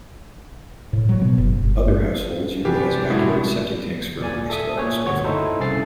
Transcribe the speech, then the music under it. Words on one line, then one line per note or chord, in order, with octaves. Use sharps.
Other households utilize backyard septic tanks for their wastewater disposal.
A2
F#3
B2
F#1
G1
C3 E3 F#3 D4 G4 G#4 B4
A2 G#3 E4 F#4
D#2 A#2 D5 G#5
A4 E5 D#6
A#2 G#4 C#5
G1 D2 F#4 C#5 G#6
D#4 E4 A4 C5
C2 C#3 G#4 A4 A6 C7